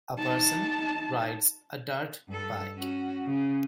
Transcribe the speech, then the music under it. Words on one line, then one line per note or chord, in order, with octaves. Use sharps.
A person rides a dirt bike.
D#4 A5
G2 A4
C#4 F#4
C#3